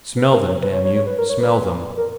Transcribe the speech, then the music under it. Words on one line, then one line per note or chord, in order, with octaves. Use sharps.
Smell them, damn you, smell them.
B4
A#4
C#5
B4
C#5
C#5
C#5
B4
A#4
C#5
B4
A#4